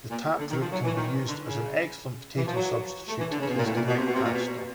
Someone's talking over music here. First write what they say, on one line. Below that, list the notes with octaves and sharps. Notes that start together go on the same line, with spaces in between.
The tap root can be used as an excellent potato substitute, tasting like pasta.
A#2
D3
D#3
F3
F#3
E3
D#3
D3
C#3
E3
F3
F#3
A3
E3
D3
C#3
B2
A#2
A2
A#2
B2
C3
B2
C3
A#2
B2